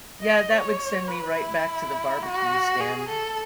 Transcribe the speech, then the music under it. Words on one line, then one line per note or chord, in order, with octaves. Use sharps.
Yeah, that would send me right back to the barbecue stand
D#5
C#5
B4
E4
F#4
G#4
A4